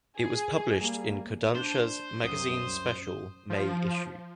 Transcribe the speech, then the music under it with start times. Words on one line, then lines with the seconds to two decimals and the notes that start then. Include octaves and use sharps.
It was published in Kodansha's "Magazine Special" May issue.
0.17 G#4
0.78 G3 A#3
1.55 D4 C5
2.24 C2 F#2 D#6
3.50 F3